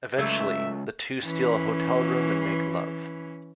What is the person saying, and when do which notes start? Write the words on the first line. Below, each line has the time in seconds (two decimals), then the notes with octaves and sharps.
Eventually, the two steal a hotel room and make love.
0.18 C#2 F#3 A3 E5
1.24 E3 C#4